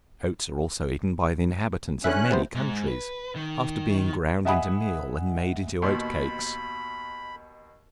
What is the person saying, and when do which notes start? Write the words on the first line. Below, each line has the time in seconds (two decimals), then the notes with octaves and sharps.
Oats are also eaten by the inhabitants of many countries, after being ground into meal and made into oat cakes.
2.04 D3 C#4 E4 E5 F#6
2.31 C3 B3 C5
2.55 G#2
2.88 B4
3.36 D#3
4.45 D#5 E5 F#5 G#5 B5 D#6
5.82 D#2 B2 B5 C6